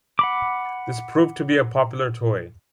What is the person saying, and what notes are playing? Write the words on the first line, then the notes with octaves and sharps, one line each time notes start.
This proved to be a popular toy.
F#5 B5 D6